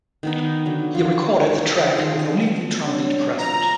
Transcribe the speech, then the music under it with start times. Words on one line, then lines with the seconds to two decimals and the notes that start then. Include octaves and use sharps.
He recorded the track with only the drum beat present.
0.23 D#3 B3 D#4
0.65 D3 F#3
0.95 F4
1.49 C#5
1.96 D#3 F4 G#4
2.43 F#3 B3 F4
2.85 G3 D4 C#5
3.38 A2 F3 A#5